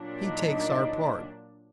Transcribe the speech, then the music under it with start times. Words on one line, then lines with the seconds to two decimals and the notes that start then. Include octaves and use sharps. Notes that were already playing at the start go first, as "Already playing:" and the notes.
He takes our part.
Already playing: A#2 F#3 D4
0.22 D#4